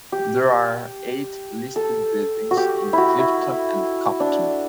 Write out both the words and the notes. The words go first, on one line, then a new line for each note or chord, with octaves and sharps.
There are eight listed buildings in Clifton and Compton.
G4
A4
F#4
G4
E4 F#4
E4
D4